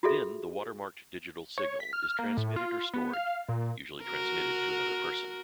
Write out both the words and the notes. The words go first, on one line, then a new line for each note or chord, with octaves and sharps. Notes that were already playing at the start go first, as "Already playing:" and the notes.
Then the watermarked digital signal is transmitted or stored, usually transmitted to another person.
F4 F#4 G#4 A4 E5
C#5
B6
F6
A#3
A2
F4
B3
F5
A#2
F#4 A#4